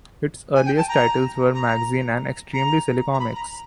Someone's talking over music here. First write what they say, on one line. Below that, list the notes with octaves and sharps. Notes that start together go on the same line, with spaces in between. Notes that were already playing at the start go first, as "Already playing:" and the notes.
Its earliest titles were "Mangazine" and "Extremely Silly Comics".
G#5
G5
A5
A#5
A#5
A#5
A#5
B5
A#5